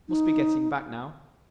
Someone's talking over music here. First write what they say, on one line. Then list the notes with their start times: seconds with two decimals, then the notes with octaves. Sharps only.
Must be getting back now.
0.09 D#4